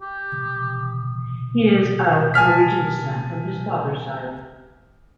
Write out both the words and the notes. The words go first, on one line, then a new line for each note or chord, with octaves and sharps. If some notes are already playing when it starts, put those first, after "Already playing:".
He is of Norwegian descent from his father's side.
G4
G#5 A5 F6 B6